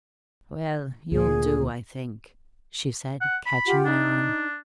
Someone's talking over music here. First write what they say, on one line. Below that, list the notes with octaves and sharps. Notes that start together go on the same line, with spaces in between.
'Well, you'll do, I think,' she said, catching my arm.
D2 A#2 G#4
F#5
B5
F4 G4 F#5
D4 D#4